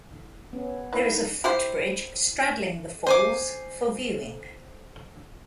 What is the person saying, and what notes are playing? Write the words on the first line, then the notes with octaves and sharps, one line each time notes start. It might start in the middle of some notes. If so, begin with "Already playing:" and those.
There is a footbridge straddling the falls for viewing.
B3 C#4
D#4 E4 B4
E4 G4 C5
C5 G#5 D6